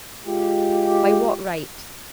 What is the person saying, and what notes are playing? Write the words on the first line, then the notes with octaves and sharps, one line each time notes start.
By what right?
G#3 F4 G4